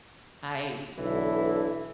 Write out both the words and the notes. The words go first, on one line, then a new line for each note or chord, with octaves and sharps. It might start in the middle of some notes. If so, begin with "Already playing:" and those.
I, d
B1 D3 E3 E4